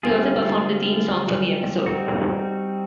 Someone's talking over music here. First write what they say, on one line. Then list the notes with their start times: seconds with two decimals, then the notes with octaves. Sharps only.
He also performed the theme song for the episode.
0.03 D3 G3 C4 F4 G#4
1.86 G3 C4 D#4 F#4